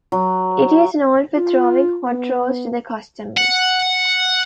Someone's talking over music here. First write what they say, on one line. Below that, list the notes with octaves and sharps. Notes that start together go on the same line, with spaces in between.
It is known for throwing hot rolls to the customers.
F#3
F4
B3
F#5